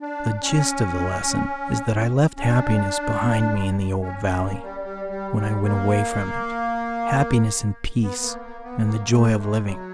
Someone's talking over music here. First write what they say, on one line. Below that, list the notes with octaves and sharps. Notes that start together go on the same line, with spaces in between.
The gist of the lesson is that I left happiness behind me in the old valley, when I went away from it, happiness and peace and the joy of living.
D4
C#4
C#4
D4
C#4
C#4
A#3
G3
G3
G3
G3
A#3
B3
B3
A#3
A#3
B3
A#3
A3
G#3
F#3